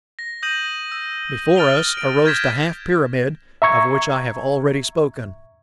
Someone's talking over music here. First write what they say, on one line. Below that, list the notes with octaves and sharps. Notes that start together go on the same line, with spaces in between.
Before us arose the half-pyramid of which I have already spoken.
A#6
D#6 G6 A#6 D#7 F#7
E6
F6 A6 D7 F7 G7
D7
F6 G6 G#6 A#6 B6 E7
E5 A#5 C#6 G#6